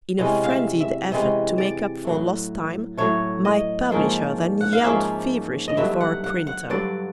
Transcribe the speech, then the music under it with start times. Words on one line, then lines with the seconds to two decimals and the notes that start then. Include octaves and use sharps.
In a frenzied effort to make up for lost time my publisher then yelled feverishly for a printer.
0.19 C3 E3 G#3 C#4 D#5
0.44 F5
0.50 E5
0.81 E5
1.12 C3 E3 G#3 C#4 D#5
1.58 D5
2.05 A2 F#3 A3
2.98 A2 F#3 A3 C#5
3.45 D#5
3.91 G#2 F3 A#3 C#4
4.61 F#5
4.73 F5
4.84 G#2 F3 A#3 C#4 E5
5.68 D#5
5.77 G2 D3 F#3 E5
6.01 F#5
6.24 F#5
6.47 F#5
6.70 G2 D3 F#3 D5